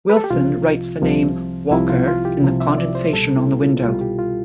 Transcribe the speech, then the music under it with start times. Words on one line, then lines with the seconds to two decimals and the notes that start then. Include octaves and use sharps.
Wilson writes the name 'Walker' in the condensation on the window.
0.10 B4
0.17 A4
0.24 G4
0.30 C2 C3 F3 F4
1.02 C2 C3 F3
1.72 C2 C3 F3 E4
1.89 F4
2.08 F4
2.25 G4
2.42 C2 C3 F3
2.60 E5
2.78 D5
2.95 C5
3.13 C2 B2 G3 A4
3.36 E4
3.61 F4
3.83 C2 B2 G3 F4
4.01 G4
4.19 F4